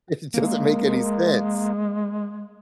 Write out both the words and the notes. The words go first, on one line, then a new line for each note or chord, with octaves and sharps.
It doesn't make any sense.
G#3 A#3